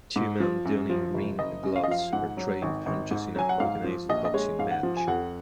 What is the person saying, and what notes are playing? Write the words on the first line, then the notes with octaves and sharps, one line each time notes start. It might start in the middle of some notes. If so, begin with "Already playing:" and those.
Two men donning green gloves are trading punches in an organized boxing match.
G#2
F3
F#2
F3
F#1
F#1 D#5
F#2
F5
D#5
F3 F5
G#2 F#5
F#3
G#1
G#1
G#2
F#3 G#5
F#5
G#2 F5
F3
A#1 D#5
D#5
G#3 C#5
G#2 F5
F#5
F3
G#5
F2 F#5